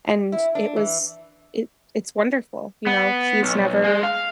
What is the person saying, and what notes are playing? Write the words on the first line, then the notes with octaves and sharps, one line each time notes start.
And it was it it's wonderful, you know? He's never,
E4
D4
E3
B3
B1
G#3
F5